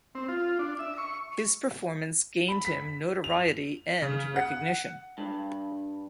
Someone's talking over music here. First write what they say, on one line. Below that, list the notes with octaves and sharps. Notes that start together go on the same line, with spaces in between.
His performance gained him notoriety and recognition.
C4
F4
D4
E5
C#6
B5
B6
F7
C#3
F#5
G2